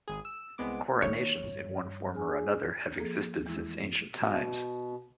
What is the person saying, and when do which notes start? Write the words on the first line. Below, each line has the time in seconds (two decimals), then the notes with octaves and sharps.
Coronations, in one form or another, have existed since ancient times.
0.08 G#1 G#4
0.25 E6
0.58 C2 G#3 B3 D6
1.02 D#3 A#3 C#5
1.43 G2 D#3
2.14 D4 G#4 G#5
2.97 F3 A#3 G#4 A4
3.46 E2 E3 G#3 E4
4.16 B2